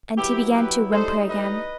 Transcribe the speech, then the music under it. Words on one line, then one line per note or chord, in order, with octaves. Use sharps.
And he began to whimper again.
F#3 B3 E4 G4
G4 B4
A2 G3 D#4 A4 C5
B4 D#5